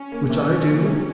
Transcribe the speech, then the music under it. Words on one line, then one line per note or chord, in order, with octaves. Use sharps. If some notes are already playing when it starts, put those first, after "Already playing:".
"Which I do."
Already playing: C#4
A#3
C3 C#4
A#3
A#3
C3